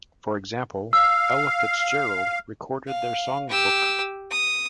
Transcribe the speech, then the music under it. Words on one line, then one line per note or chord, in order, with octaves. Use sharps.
For example, Ella Fitzgerald recorded their songbook.
F5 E6
F5
G4 E6
D#6